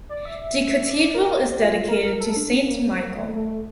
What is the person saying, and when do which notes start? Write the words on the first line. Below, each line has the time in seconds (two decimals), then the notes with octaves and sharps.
The cathedral is dedicated to St Michael.
0.09 D5
0.25 E5
0.91 D5
1.15 A#4
1.39 G4
1.63 F4
1.88 A#4
2.04 A#4
2.20 A4
2.36 D4
2.53 C4
2.70 A#3
2.86 C4
3.02 A#3
3.18 A3
3.35 A3